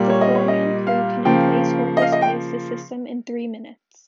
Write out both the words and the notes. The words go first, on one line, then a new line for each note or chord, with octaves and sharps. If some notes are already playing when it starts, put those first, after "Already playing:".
The four-man crew can emplace or displace the system in three minutes.
Already playing: A#2 G3 A#3
C#5
D#5
C#5
D#5
F5
C#3 F3 A#3 G5
D#5
F5
D#5
G5